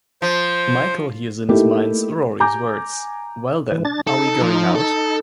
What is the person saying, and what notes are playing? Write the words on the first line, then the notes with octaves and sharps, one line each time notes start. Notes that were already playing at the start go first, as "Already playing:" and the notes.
Michael hears in his mind Rory's words Well, then, are we going out?
F3 C5
A3 A#3 D#4 E4 G4
G#5 A#5 D6 G6
E3
D4 A6
D#4 A4
F3
A4